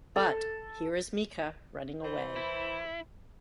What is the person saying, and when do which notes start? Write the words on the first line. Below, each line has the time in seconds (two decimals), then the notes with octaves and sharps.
But, here is Mica, running away.
0.16 A4
2.03 E3 C5
2.36 E4